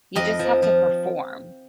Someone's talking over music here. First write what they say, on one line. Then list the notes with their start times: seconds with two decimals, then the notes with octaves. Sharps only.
you just have to perform.
0.16 F2 D#5
0.39 F3
0.62 F3